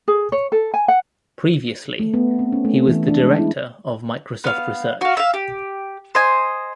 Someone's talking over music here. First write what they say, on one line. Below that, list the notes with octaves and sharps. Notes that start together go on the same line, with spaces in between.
Previously, he was the director of Microsoft Research.
G#4
C#5
A4
G#5
F#5
A3
B3
C4
C#4
A3
E3
D4
G#3
E4
B3 F5
F#4 F5
E5 F5
G4
C5 D#5 G#5